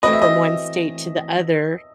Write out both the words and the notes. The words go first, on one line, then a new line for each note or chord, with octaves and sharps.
from one state to the other,
E3 A3 C4 F#4 B4 D#5
E5
D#5